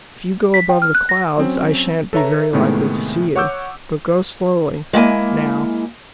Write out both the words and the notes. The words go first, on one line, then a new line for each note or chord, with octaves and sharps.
If you go above the clouds I shan't be very likely to see you. But go slowly, now.
B6
G5
F6
F#6
A#6
F#3 C4 C#4
A4 B4 C#5 E5 A#5
A2 C3 D#3 G#3 A3 B3
C#5 F#5 C#6 D6 E6 G6
G#3 A#3 E4 G#5